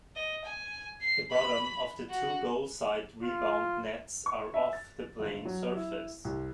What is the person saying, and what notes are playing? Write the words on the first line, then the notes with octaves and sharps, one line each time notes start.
The bottom of the two goalside rebound nets are off the playing surface.
D#5
G#5
C7
B5
F#4
F4
C#6
E5
A6
G1
F#3
E4
C2